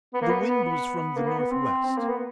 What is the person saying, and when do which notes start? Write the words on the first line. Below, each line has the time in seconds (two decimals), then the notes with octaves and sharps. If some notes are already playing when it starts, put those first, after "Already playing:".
The wind was from the north-west.
0.14 B3
0.22 A#3
0.30 B3
0.48 B3
0.64 B3
1.17 A#3
1.28 B3
1.40 B3
1.51 C4
1.86 C4
1.98 A#3
2.09 B3